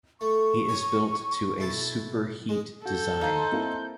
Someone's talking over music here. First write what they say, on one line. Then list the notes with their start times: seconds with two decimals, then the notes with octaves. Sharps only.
He is built to a "super-heat" design.
0.21 A3 C#6
0.69 C#5 G#5 A#5
1.58 B1 E4 A5
2.49 G#3 G#4
2.85 F#4 A4 G6
3.21 D#4 C5 F5
3.52 A#3 C4 E4